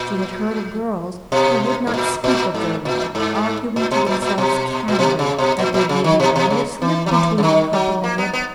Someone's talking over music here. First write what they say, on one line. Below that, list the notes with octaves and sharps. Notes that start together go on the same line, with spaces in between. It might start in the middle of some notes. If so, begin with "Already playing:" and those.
She had heard of girls who would not speak of their love, arguing to themselves cannily that there may be many a slip between the cup and the lip.
Already playing: A#2
B2
G#2
A#2
A#2
G#2
A#2
G#2
A#2
B2
A#2
A#2
B2
A#2
B2
C#3
B2
A#2
A#2
C#3
D#3
B2
B2
C#3
E3
F#3
E3
C#3
D#3
F#3
A#3
B3
B3